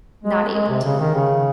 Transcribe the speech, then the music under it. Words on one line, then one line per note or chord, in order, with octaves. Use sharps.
not able to.
G#3
G#3
C3
C#3
D#3
C#3